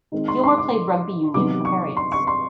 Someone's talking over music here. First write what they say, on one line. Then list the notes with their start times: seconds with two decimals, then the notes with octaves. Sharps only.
Gilmour played rugby union for Heriots.
0.12 D#3 G#3 C4
0.28 C6
0.43 C6
0.58 D6
1.34 C3 D#3 F#3 B3 D6
1.65 C#6
1.97 C6
2.12 C#6
2.27 C6